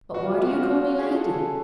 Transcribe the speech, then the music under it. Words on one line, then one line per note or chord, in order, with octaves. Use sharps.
But why do you call me 'Lady'?
F#4
F4
E4
F#4
F4
G#4
A4
A4